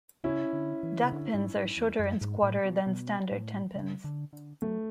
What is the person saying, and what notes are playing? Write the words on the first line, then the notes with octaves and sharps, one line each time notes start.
Duckpins are shorter and squatter than standard tenpins.
C#3 C#4 E4
D3
E3
C#3
D3
G#2
G#2
E2
F#2
G#2
A2
B2
B2
A2
C#3
D3
D3
F#3 A3